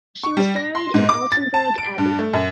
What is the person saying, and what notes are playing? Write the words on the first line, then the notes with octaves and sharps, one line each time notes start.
She was buried in Altenberg Abbey.
C#6
G3
A#6
C6
G#2
D6
A6
A5
D7
G2
A3
F#2